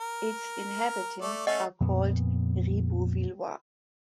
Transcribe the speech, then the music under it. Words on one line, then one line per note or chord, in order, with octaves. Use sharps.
Its inhabitants are called "Ribeauvillois".
A#4
A3 D5
A3 C#4 D#5 F#5
F2 A#2 B3